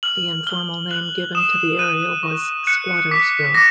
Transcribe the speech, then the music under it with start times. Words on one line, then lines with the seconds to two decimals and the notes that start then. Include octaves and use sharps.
The informal name given to the area was Squatterville.
0.03 F6 F#7
0.47 F6 G7
0.91 F#6 F#7
1.35 D#6 E7
1.79 F#6 D#7
2.23 C#6
2.67 F#6 C#7
3.11 D6 B6
3.54 D6 A#6